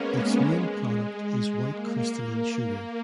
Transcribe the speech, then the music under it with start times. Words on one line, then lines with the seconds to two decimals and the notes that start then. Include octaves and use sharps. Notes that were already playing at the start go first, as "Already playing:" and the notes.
Its main product is white crystalline sugar.
Already playing: G#3 A#3 B3 C#4
0.12 G#3
1.70 A#3